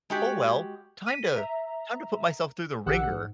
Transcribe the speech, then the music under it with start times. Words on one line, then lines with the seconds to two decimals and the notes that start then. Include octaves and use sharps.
Oh, well! Time to time to put myself through the wringer,"
0.10 G#3 F#4 G4
1.06 B6 D#7
1.36 E5 A#5
2.86 A#1 D#3 G4 F#5 E6 F#6
3.10 G#2